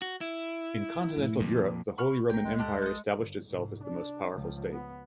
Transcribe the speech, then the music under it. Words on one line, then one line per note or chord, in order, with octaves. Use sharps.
In continental Europe, the Holy Roman Empire established itself as the most powerful state.
F#4
E4
F2 A2
F2 A#2 D3
B5 C#6 F6
A#1 A#4 G5
C2 G#3
D#2 G4 A4 F#5
A#1 A4 D#5
G1
C2 G#2
D4
C#2 F3
B3